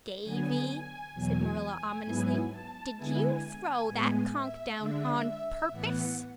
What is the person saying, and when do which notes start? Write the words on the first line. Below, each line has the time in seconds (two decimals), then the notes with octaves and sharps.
"Davy," said Marilla ominously, "did you throw that conch down ON PURPOSE?"
0.22 D3 F#3 B3 G#5
0.68 G#5
1.13 E2 B2 F#3 G#5
2.05 G#2 F#3 B3 E4
2.50 A5
2.96 D3 G#3 B3 E4 G#5
3.87 A2 G#3 B3
4.33 E5
4.79 D3 G#3 D4 E5
5.25 E5
5.70 A2 E3 B3 F#5